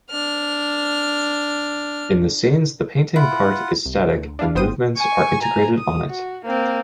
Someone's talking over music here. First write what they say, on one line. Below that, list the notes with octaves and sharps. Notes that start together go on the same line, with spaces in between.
In the scenes the painting part is static and movements are integrated on it.
D4 F6
E4 F4 F#5
C2
D2
D4 E4 F5
G1 B3 C5 G5 D#6 D#7
G#5 C#6
G#5 A#5
D#6
F#4
A#3 C4